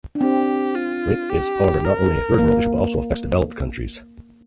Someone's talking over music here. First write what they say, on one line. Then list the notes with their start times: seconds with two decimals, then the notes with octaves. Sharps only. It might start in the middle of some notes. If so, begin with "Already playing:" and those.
Rape is, however, not only a third world issue but also affects developed countries.
0.15 D4
0.21 C4 G4
0.75 F4
1.29 G4
1.84 A#4
2.39 A#3